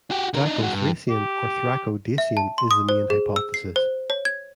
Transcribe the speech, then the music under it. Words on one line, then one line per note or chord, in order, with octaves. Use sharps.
Daco-Thracian or Thraco-Dacian is the main hypothesis.
F#4 G4
D3 A#4
D4 D#4
G#3 F#4
G2
G4
E5
A5
C6
D#6
C5
G#4
E6
C7
C5
C#5
G#6